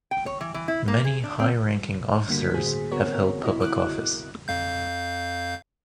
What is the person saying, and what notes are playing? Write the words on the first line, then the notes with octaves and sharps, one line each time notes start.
Many high-ranking officers have held public office.
G5
C#5
E3
E3
E4
A#3
G#4
D4
C4
A#1 G2
C#2 D3 G3 A#3 F#4 B6
A2 G#4 C5
B3 C4 F#4 A#4 C#5
E4 F#4 D#5
D6 F#6
F2 F5 G6